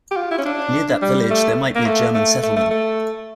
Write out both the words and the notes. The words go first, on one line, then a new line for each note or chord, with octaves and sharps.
Near that village, there might be a German settlement.
G4
F4
E4
C#4
D4
G3
A3
A#3
A3
A3
A3
A3
A3